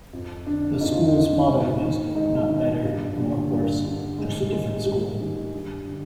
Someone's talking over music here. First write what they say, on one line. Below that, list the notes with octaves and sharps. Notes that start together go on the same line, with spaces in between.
The school's motto is "Not better, nor worse, just a different school".
F2
D3 D4
F2 D#4
F4
D#4
D3
G#2
D#3
G#2 D#4
D#3
G2
D3
G2
D3
G#2 G#3
G3
D#3 G#3
G#2 G3
D#3
G2
D3